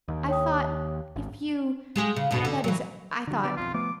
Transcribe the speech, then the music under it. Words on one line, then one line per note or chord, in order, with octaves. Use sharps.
I thought if you ... that is I thought ...
D#2
C#5 G5 D#6
G#1
G#3 G4 G#4
C#3
D2 G#2 B2
D3
E3 F#3
D3 F#3
D3 F#3 B3 D5
B1 F2 F4
F3 A3 B3 D6